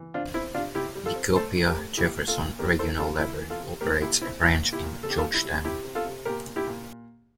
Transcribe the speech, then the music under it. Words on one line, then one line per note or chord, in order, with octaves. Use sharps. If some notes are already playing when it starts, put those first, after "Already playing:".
The Copiah-Jefferson Regional Library operates a branch in Georgetown.
Already playing: E3
C4 D4 F4
C4 E4
C3 D4 F4
C3 E4 G4
G3
F4 A4
C4
A3 A4 C5
C4
G4 A#4
A3
A#2 E4 G4
A3
F4 A4
A#2
C3 G4 A#4
A#3 A4 C5
C3 F4 A4
A#3 E4
E3
F4 A4
C3
A3 G4 A#4
A#2 E4 G4
C4 E4
A#2 E4
A#2
E4 G4
A#2
C3 A4
G4
F4 A4
G3
E4
G3
C3 E4 G4
C3
F4 A4
C3
A#2 G4 A#4
A#2
E4 G4
A#2